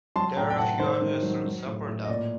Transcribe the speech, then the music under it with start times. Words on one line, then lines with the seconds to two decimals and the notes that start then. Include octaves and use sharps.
There are few obvious routes up or down.
0.16 F#3 A5 C6
0.37 A2 G5 A#5
0.50 G5
0.58 A2 F#5 A5
0.80 D#3 C5
1.02 D#3
1.23 F#3
1.44 F#3
1.66 A2
1.87 A2
2.05 D#5
2.09 A#2 D5